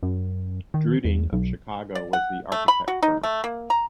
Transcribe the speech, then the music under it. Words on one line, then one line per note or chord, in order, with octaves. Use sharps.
Druiding of Chicago was the Architect Firm.
F#2
D#3
E2
B1
D5
F#5
A3
B5
F#4
D#4
A3
A#3
A#5